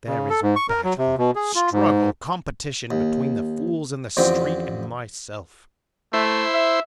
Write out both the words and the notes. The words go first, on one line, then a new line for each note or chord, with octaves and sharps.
There is battle, struggle, competition between the fools in the street and myself.
C#3
A4
G#2
C#6
A#4
F#3
C3
B2
G#4
F4
G#2
D#2
A1 F2 D3 C4 G5
A3 E4 C5
E5